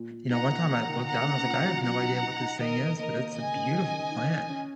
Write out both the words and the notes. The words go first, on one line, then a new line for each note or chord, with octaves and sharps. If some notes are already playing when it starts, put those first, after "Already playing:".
you know, one time I looked down, I was like, I have no idea what this thing is, but it's a beautiful plant,
Already playing: A#2
A#2
D#4 F#5 A#5
A#3
A#3
D#3
D#3 F#5 A#5
C#4
A#2
F#3
F#3 F#5 A#5
D#4
D#4
D#4
D#3 A#4 D#5
D#3
A#3 A#4 D#5
A#3
C#3 D#5 G#5
C#4
D#3
D#3
D#4
D#3
C#4